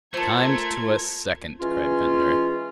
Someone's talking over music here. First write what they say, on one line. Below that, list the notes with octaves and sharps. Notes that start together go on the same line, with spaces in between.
"Timed to a second!" cried Ventnor.
A3 F4 A4 A#4 C5 G#6
E3 G#3 C#4 F4